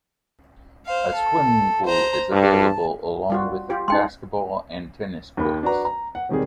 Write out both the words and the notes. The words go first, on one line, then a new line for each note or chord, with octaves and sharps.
A swimming pool is available along with basketball and tennis courts.
C5 F5
A4
C5 A#5
G2 A5
G3 F4 F#4
F4 G4
G#3 D#4 G5 C6
D#2 D#3 B5
D4 F#4 B4 A#5
A#5
F#5
E1 C3 D#3 G3 G#4